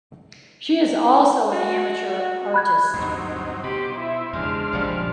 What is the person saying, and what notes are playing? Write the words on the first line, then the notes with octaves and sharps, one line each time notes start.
She is also an amateur artist.
F#4
B5 F#6 G#6
D2 G2 F#3 C4 D#4
B2 G4 C5 B5
E4 E5
E2 C#3 G#3 D4 F6
A#1 F2 C#3 F3 G3